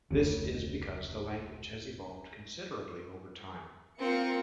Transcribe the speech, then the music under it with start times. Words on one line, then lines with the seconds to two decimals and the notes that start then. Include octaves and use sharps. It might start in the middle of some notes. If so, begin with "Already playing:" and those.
This is because the language has evolved considerably over time.
0.11 F1 D2 C#3
3.99 A#3 C4 F4 A#4 C#7